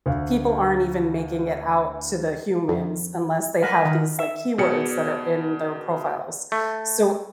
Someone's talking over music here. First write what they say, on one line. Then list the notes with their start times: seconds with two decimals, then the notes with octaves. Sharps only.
people aren't even making it out to the humans unless they have these like keywords that are in their profiles. So
0.06 D2 F5
2.69 F2
3.62 A#4 B4 F#5
3.85 D#3
4.19 E5
4.58 B2 G#4 D5 C#7
6.52 A3